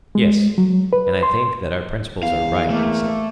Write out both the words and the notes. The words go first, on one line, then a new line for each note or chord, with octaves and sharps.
Yes; and I think that our principles are right, he said.
G#3
F#3
B4
C6
E2 F5
A3 A#3